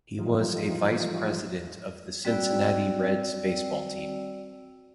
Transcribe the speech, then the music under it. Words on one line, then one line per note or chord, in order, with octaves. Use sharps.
He was a vice president of the Cincinnati Reds baseball team.
E3 F3 G3 D#4 F4
G3 C4 F#4 D5 G5 E6